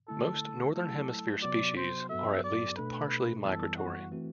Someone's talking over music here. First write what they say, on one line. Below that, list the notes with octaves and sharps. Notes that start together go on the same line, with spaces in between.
Most Northern Hemisphere species are at least partially migratory.
D3 A3 E4 A4
F#3 A3 E4 A4
C3 F#3 B3 F#4 D5
C5
G2 F#3 B3 F#4 A4 E5
D5
B2 A3 D4 A4 B4
F#2 E3 G3 B3 E4 A4
F#4
E3 A3 C4 F#4